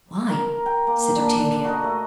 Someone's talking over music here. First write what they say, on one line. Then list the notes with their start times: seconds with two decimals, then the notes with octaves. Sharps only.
"Why?" said Octavia.
0.29 A#4
0.66 G5
0.87 A#3
1.16 A#2 D3 D4 B5
1.64 F#4 A#4 D#5
1.84 A3